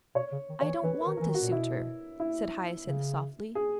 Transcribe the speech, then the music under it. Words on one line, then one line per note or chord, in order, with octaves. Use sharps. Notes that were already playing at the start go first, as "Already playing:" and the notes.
"I don't want a suitor," said Hyacinth softly.
B2 C#5
C#3
D#3
D#3 C#5
E3
E3 B4
A#4
D#3
A#4
E3
D#3
F#4
A#2
B2 E4
E4
C#3
G#4